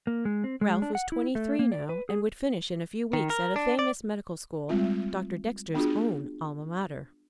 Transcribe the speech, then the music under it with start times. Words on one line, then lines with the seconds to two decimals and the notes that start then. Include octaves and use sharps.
Ralph was twenty-three now and would finish in a few weeks at a famous medical school--Doctor Dexter's own alma mater.
0.07 A#3
0.25 G#3
0.44 C4
0.61 G#3
0.82 D4
0.95 F#5
1.12 E4
1.35 A3
1.59 A#3
1.72 D5
1.89 B4
2.09 G#4
3.13 D#3
3.30 A#4
3.56 D4
3.79 D5
4.69 G3 G#3 C4 F4
5.74 B3 D4 F4 F#4 G#4